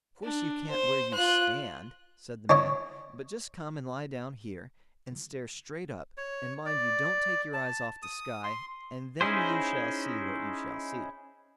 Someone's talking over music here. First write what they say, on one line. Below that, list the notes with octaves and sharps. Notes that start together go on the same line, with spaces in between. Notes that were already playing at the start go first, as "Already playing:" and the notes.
'Of course you can't where you stand', said the man; 'but just come and lie down here, and stare straight up, and mind you don't take your eyes off the sky; and then you shall see what you shall see.'
D4
C5
F4 F#6
C#4 D4 C#5 D#5
C#5
D5
A5
D#6
C6
C#4 D#4 E4 G#4 C5